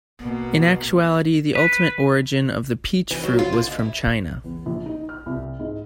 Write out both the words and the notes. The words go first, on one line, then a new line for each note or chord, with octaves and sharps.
In actuality, the ultimate origin of the peach fruit was from China.
B2 A#3
B4
E3
F#3
F4
D3
D#2
E4
E2
A#1
D#4
F6
C2
G#2